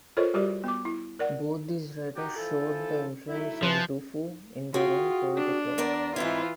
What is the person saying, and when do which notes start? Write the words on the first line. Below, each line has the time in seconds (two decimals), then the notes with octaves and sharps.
Both these writers showed the influence of Du Fu in their own poetic work.
0.17 F4 A4 A#4 C5 C#5 D#5
0.34 G3 F#4 G4 A#4 D5
0.64 B3 D6
0.85 E4
1.19 A#4 D5 F#5
2.16 D#4 F#4 G4
2.36 E3 F3 A4
3.28 F#3 A3 E4
3.63 D#2 E3 F3 B4
4.74 F4 F#4 G#4 G5
5.37 D4
5.78 E2 A#4 D5
6.16 G#2 E3 C4 E4 F4